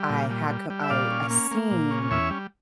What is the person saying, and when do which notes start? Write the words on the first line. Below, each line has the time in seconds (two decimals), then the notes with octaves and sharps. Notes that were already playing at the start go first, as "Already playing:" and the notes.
I had co I I seen
Already playing: G3
0.10 A#2
0.30 G3
0.50 G3
0.70 G3
0.83 E5
0.90 A#2 D5 F5
1.11 C#4
1.30 A#3
1.51 A#3
1.71 A#2
1.91 C#4
2.10 E2 C#5 E5
2.31 G3